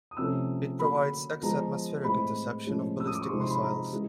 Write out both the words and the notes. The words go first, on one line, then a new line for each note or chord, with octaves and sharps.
It provides exo-atmospheric interception of ballistic missiles.
D#6
C3 F3 A3 C#4 E6
D3 F#3 A#3 B5
F3 G#3 B3 A#5
A2 E3 G#3 C4 B5
A2 F3 G#3 C#4
E6
D#6
D6
C#6
C3 F3 G#3 C4 D#4 C6
C6
B5
A#5
C#3 E3 G#3